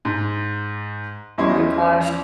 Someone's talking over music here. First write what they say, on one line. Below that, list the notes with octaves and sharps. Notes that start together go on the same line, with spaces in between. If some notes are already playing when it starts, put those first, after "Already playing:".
Oh my gosh.
G#2
E2 C#4 E4 D#5 C6